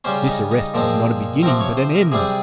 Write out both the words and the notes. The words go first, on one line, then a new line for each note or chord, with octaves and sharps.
This arrest was not a beginning, but an end.
C#3 G3 C#4 C5
D#4
D#4
A#2 F3 G#3 C4
C3 F3 C4 A#4
C#5
C5
A#4
C3 G3 C4 G#4